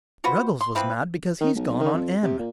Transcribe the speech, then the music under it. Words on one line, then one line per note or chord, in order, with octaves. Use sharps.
Ruggles was mad because he's gone on Em.
F4 F#4 B4 C5
C6
E3 F3 C4 B4
D#3
B1
B1
D#3
F2
C3
A#2